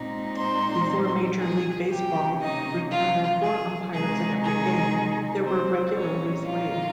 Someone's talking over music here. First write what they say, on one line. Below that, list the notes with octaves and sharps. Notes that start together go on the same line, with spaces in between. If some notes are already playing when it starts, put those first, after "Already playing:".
Before Major League Baseball required four umpires at every game, there were regularly three.
Already playing: A#2 G#3 C4 D#4
C5 C6
G#4 G#5
C3 D#3 A#3 C#4 G4 G5
D#4 D#5
F4 F5
G#4
C3 D#3 G#3 D#4 G#4
G#4
C4 C5
A#2 G3 C4 C#4 D#4 C#5
F4 F5